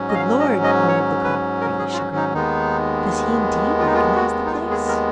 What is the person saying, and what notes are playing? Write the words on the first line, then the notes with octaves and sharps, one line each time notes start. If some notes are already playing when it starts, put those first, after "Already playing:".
"Good Lord!" murmured Lecoq, greatly chagrined, "does he indeed recognize the place?"
Already playing: G#2 F#3 C#4
D#5
F5
D#5
D#5
C#5
B4
A#4
G#4
F4
F#4
D#4
D#2 D#3 G#3 B3 D#4
F4
D#4
F4
F#4
D#4
F4
G#4
A#4